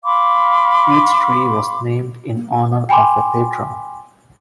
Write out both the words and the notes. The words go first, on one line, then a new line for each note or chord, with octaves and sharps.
Each tree was named in honor of a patron.
F5 B5 C6 D6
G5 G#5 B5 C6 D6